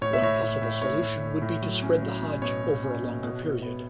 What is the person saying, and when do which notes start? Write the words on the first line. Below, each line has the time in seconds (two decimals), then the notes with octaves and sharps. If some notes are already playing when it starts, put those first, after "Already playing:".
One possible solution would be to spread the Hajj over a longer period.
0.01 A2 C#5
0.13 E5
0.22 A2 C#5
0.42 A2
0.62 A2
0.82 A2 C#5
1.02 A2
1.23 A2
1.42 A2
1.62 F#3
1.82 C#4
2.02 F#3
2.22 C#4
2.42 B2 C#5
2.63 B2
2.83 C#4
3.03 B2
3.23 B2
3.43 B2
3.62 B3